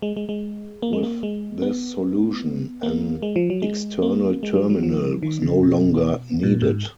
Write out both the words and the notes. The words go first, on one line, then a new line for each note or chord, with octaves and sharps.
With this solution an external terminal was no longer needed.
G#3
G#3
G#3
A#3
G#3
A#3
G#3
B3
A#3
G#3
F3
F#3
G#3
A#3
G#3
F#3
F#3
F3
D#3
C#3
B2
A#2
G#2